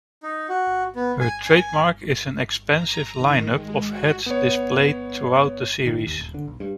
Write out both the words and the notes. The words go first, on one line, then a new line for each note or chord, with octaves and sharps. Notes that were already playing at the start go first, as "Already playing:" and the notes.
Her trademark is an expansive lineup of hats displayed throughout the series.
D#4
F#4
B3
G#5
G#5
A#5
D#3
G#3
F#4
B3 C#5
D#3
D#2
D#1
D3
B1
G2